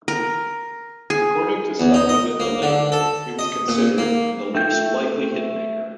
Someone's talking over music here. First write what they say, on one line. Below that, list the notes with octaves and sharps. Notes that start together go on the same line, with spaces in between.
According to some within the label, he was considered "the least likely hit maker".
A#4
G#4
E2
D#4
D#5
A#3
D3
A4
D#5
A#2
A#3
A3 G5 G6